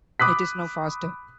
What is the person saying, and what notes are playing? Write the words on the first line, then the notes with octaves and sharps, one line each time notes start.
It is now faster.
B5 D6 D#6 F#6 B6